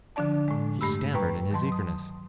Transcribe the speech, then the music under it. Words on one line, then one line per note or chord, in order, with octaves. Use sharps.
He stammered in his eagerness.
D3 F3 D4 D5 A5
A2 G#3
G2 A3 G4 B5 E6
B4 G5 A#5 C#6
D#3 F#3 A5 C6
D#6